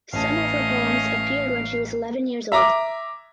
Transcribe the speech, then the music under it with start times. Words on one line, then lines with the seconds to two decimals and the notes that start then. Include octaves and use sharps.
Some of her poems appeared when she was eleven years old.
0.13 A1 A3 C#4 D#5 F5 A5
2.52 E5 A#5 D6